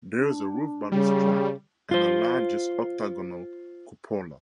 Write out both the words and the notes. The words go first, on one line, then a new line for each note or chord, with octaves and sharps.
There is a roof balustrade and a largish, octagonal cupola.
D4
C#3 G3
F4 C5